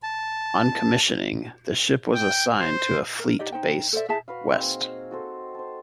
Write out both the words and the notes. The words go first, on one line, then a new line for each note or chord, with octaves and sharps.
On commissioning, the ship was assigned to Fleet Base West.
A5
G5
C5
A#4
D#4 G4 D5 D#5
D#4 C5 G5
A4 C5 D5 E5
E4 G#4 E5 A5
F#4 B4 F5
A#3 C4 D#4 G#4
F#4 A4 C5
C5 A5